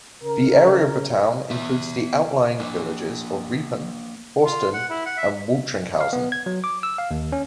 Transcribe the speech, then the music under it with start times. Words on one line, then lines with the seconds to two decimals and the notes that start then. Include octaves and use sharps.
The area of the town includes the outlying villages of Riepen, Horsten and Waltringhausen.
0.23 C#3 A#4
1.50 B3 E5
2.60 A#3 D4
4.45 F4
4.73 F#5
4.90 E4
5.06 F#5
5.17 E5
6.01 F5
6.13 B3
6.32 G#6
6.46 F#3
6.64 D6
6.83 E6
6.98 F5
7.11 D#2
7.32 C#4